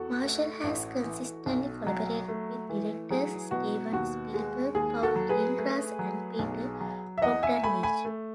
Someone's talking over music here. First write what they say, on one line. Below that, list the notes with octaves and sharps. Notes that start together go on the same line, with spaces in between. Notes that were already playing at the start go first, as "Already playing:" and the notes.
Marshall has consistently collaborated with directors Steven Spielberg, Paul Greengrass and Peter Bogdanovich.
Already playing: E2 F#4 A4
A3
A1
E3
B1
F#3
A3
E3
F#3 G#4
B2 F#4
D#2 F#4
G#3
D#2 G#4
F#4 A4
F#3
G#4 B4
A3
F#3
B1
F#3
E5
E2 D#5 F#5
E5 G#5
A3 G#5 B5
G#5 B5
A3